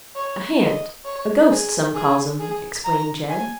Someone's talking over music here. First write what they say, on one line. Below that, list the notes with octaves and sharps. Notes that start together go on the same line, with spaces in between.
"A hant, a ghost, some calls 'em," explained Jed.
C#5
D#5
C#5
G#4
G#4
G#4
A#5
G#5